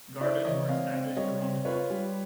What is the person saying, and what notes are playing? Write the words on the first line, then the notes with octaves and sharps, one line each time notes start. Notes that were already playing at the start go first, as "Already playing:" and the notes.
Gardens were established around the post.
E4 C5 D5
E3 C#5 D#5
C4 D#5 F5
C4
G3 C#5 D#5
C4
F4 B4 C#5
G3